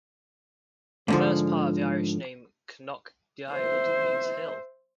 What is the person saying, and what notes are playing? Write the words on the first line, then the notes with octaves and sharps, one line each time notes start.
The first part of the Irish name "Cnoc Daod" means "hill".
G#2 D3 F3
C5 E5